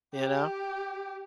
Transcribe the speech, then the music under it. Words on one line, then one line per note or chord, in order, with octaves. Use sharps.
You know?
G4